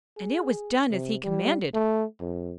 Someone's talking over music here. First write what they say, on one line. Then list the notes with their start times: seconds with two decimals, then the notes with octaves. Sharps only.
And it was done as he commanded.
0.17 G#4
0.91 C3
1.24 G3
1.74 A3
2.20 F2